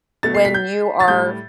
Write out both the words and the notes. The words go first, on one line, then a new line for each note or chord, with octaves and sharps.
when you are
B2 A3 A6
C7
B6
G6
A6
A2 G3 G6